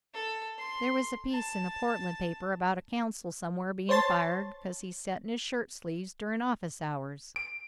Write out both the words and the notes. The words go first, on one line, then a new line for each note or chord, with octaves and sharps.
There was a piece in a Portland paper about a Counsul somewhere being fired because he set in his shirt-sleeves durin office hours.
A4
C6
A5
C5 C#5 A5 C6 A6
D7